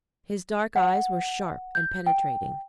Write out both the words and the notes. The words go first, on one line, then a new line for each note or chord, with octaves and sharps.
His dark eyes were sharp and penetrating.
F#5
G6
G5